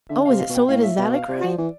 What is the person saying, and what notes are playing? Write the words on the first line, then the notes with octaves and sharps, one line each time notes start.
"Oh, is it so late as that?" I cried.
D3 E5
C3 F5
F5
B2
G5
A2 F5
E5
B2 F5
F5
C3 D5
F3
E3